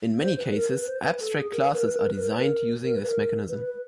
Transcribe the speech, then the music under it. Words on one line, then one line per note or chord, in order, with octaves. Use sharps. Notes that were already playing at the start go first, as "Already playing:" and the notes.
In many cases, abstract classes are designed using this mechanism.
C5
B4
A#4
B4
C5
B4
A4
G#4
A#4
B4
A#4
B4
A#4
B4
A#4
B4
A#4
A#4
B4
A#4
B4
B4